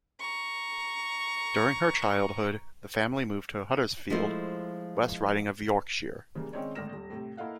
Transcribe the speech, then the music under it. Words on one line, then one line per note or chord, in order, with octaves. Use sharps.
During her childhood the family moved to Huddersfield, West Riding of Yorkshire.
A#5 C#6
F3 G#3 A3 E4 C5
C#3 E3 G3 A#3
D#3 G#3 C4 C#4 C#5 D5
G#1 A2 D3 F6 A#6 E7
D#1
A2 C3
A#3 E4 A4 D#5 F5 F#5